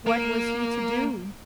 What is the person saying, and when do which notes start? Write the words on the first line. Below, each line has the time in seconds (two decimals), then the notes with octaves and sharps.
What was he to do?
0.06 A#3